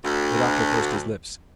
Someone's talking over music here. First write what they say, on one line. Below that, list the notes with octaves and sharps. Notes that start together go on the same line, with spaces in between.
The doctor pursed his lips.
D2